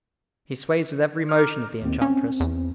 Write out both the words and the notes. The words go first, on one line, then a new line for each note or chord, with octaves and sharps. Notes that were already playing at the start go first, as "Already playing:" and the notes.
He sways with every motion of the enchantress.
A#5 D6 F6
D#2 C4
C4 C#4
E2